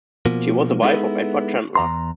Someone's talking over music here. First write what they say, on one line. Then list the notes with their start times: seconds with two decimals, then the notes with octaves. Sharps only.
She was the wife of Edward Chandler.
0.26 B2 F3 A#3
0.82 G#3 B3 D#4 E4 G#4 A4
1.75 E2 A#5 C6